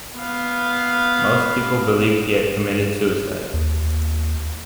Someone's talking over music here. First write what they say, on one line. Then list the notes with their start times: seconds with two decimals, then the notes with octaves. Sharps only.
Most people believed he had committed suicide.
0.18 B3 F5
3.54 D#2